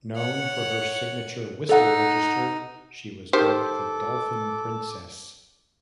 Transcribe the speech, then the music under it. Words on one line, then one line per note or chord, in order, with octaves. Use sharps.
Known for her signature whistle register, she was dubbed the "Dolphin Princess".
C#5 F#5
D#4 A4 F#5
D#3 G4 A4 C5 D6